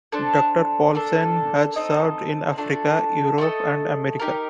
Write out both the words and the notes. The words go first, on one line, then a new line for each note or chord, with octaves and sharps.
Doctor Paulsen has served in Africa, Europe and America.
D4 A4 C5
A#3 D4 A4
C4 D#4 A4 D#5
A3 D4 F4 A4
A3 D4 A4 D#5
D#4 G4 A#4